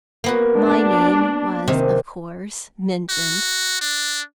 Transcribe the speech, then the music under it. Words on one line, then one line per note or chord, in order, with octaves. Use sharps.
My name was, of course, mentioned.
A#3 B3 F#4
D4
C3 D#3 G4
F#4
D4